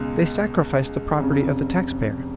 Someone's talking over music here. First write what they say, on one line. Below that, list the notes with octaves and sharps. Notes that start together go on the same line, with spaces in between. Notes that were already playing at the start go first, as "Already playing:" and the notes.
They sacrificed the property of the tax-payer.
Already playing: C#2 B2 G#3
F1 F2 C#3